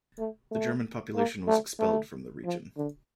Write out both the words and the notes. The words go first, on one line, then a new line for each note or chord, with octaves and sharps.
The German population was expelled from the region.
A3
A3
A#3
A3
A3
F3
D3